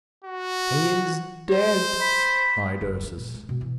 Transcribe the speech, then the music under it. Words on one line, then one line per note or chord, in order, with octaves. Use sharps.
"He is dead!" cried Ursus.
F#4
C5
B5
F#1
F4
A#2
G#3
B2
E3